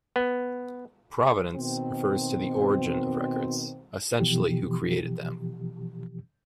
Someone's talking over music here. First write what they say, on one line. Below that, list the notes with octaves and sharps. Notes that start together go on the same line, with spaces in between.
Provenance refers to the origin of records, essentially who created them.
B3
B2 D#3 C4
B2 E3 F3 G4